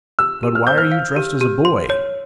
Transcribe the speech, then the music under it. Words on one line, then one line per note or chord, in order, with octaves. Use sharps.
"But why are you dressed as a boy?"
G4 E6
G4
F6
C5 G6
F6
F5
G4
G4
C6
C#5